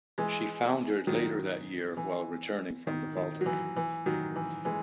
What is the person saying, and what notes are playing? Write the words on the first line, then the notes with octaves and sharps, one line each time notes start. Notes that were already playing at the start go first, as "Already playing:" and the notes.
She foundered later that year while returning from the Baltic.
E3 G#3
D#3 F#3
E3
D#3
D#3
F#3
E3
E3
D#3 F#3
E3
E3 G#3